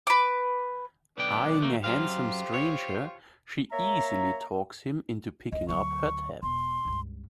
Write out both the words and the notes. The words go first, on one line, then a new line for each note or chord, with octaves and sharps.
Eyeing a handsome stranger, she easily talks him into picking up her tab.
B4 D6
B1 D3 B3 D4 G5 D6
D#2 A3 A#3
F#2 F#3 F4 G4 C5 F5
C#5
A#3 C#5 E5 A#5
C#2 E4 D#5
D2 F#3 C#6
E1 C6
C#2 G2